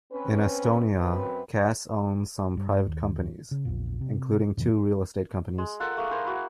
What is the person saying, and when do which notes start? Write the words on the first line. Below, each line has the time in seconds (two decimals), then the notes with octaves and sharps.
In Estonia, Kass owns some private companies, including two real estate companies.
0.13 C4 C#4 B4
1.01 F#2 C4 B4
2.57 G2
2.87 D#2
3.51 C#3
3.65 A#1 E2 A#2
4.01 C3
4.57 F2 G#2 B2 E3
5.58 G#3
5.80 F4 A4 A#4 F#5
5.97 A3 A#3 G#4 A#4
6.11 E4 A#4 C5 G#5
6.25 E4 F#4